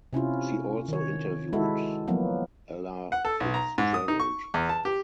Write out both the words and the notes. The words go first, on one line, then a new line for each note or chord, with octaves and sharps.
She also interviewed Ella Fitzgerald.
C3 C#4 E4 F4
D#3 C#5
G#3 E4 F#4 A4
F3 F#3 A#3 B3
F#5
A4
B1
A#5
G#2
D#6
D#4
C#6
E2
A5
G4